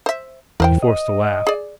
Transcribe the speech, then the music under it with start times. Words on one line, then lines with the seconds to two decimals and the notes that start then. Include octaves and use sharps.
He forced a laugh.
0.06 C5 E5
0.60 E2 E3 A#4 C5 G5
0.82 D#5
1.47 G#4 D5